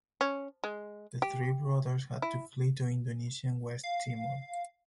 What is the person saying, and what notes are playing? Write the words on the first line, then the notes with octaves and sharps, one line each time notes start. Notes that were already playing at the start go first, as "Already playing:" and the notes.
The three brothers had to flee to Indonesian West Timor.
C#4
G#3
G4
E4
F5